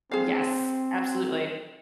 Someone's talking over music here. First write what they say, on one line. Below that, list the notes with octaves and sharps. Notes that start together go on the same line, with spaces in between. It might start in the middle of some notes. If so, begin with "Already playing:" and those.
Yes, absolutely.
C4 G#4 F5